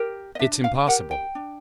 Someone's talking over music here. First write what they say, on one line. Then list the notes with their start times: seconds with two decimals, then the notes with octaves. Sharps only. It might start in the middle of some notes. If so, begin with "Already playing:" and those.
"It's impossible!"
Already playing: G4 A#4
0.35 D#5
0.39 D4 E5
0.64 F5
0.87 G4 A#4 F#5
1.11 G5
1.35 D4